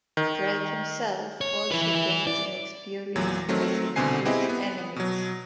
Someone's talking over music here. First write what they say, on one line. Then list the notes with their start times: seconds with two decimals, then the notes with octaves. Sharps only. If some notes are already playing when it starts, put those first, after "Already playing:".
Drake himself also gains in experience as he defeats enemies.
0.17 D#3
1.41 C#5
1.71 E4 B4
2.27 D5
3.16 E2 A#2 F#3
3.49 D#3 F#3 A3 C4
3.96 C2 B2 D3 C4 G#5 C7
4.25 B3 C4 E4 G4 G#4 D#5
4.49 B3
4.96 B2 F#3